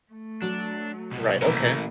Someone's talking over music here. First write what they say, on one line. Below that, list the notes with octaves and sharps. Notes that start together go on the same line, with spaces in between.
Right, okay.
A3
F#3 D4
C2 B2
A#2 E3 A3 A#4